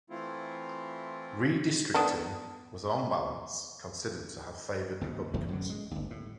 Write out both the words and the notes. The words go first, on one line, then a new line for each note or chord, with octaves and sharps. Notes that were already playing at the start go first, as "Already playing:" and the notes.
Redistricting was on balance considered to have favored Republicans.
E3 A3 C4 E4 F4
B3 D4 A4
D#2 G#2 C#3
G1 E2 A2 A3
F#2 A2 D3
G#3
G1 D#2
A2